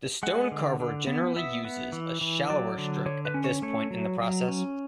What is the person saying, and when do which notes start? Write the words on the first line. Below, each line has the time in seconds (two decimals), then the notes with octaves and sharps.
The stone carver generally uses a shallower stroke at this point in the process.
0.23 G#3 F#5
0.52 D3
0.80 D3
1.07 B3
1.36 B3 E5
1.65 B3
1.92 E3
2.21 E3
2.50 F#3 D5
2.78 D3
3.06 D3 C#5
3.25 B4
3.34 C#4
3.44 C#5
3.62 A3 C#5
3.91 F#3
4.20 F#3
4.48 C#4